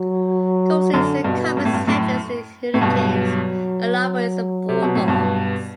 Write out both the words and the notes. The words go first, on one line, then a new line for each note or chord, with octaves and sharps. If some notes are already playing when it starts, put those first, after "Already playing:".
Coulston is the Comets, Hendricks is the Hurricanes and Loper is the Bulldogs.
Already playing: F#3
F#2 D3
G2 B2
G2
A2
G2
F#2 A2
A2
G2 B2 F#3
C3
B2
A2
G2 B2